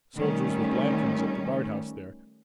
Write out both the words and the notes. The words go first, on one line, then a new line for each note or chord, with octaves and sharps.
Soldiers with lanterns, at the guard-house there.
D#3 G3 A3 C#4